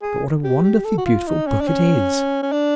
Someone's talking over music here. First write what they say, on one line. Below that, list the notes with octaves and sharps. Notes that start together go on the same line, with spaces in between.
But what a wonderfully beautiful book it is!
G#4
G4
G4
A4
F#4
F4
D#4
C#4
D4
C#4
C#4
D4